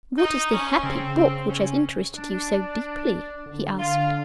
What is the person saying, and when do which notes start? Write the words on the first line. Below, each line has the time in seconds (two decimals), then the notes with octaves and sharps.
"What is the happy book which has interested you so deeply?" he asked.
0.18 D#4
0.51 C#4
0.83 C#3 C4
1.16 C4
1.48 C#4
2.15 D4
3.46 D3
3.79 F4